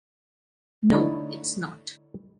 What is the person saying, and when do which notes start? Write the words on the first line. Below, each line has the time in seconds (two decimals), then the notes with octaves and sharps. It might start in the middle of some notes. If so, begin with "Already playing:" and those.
No, it’s not.
0.92 D3 A3 D#4 E4 A4 C#5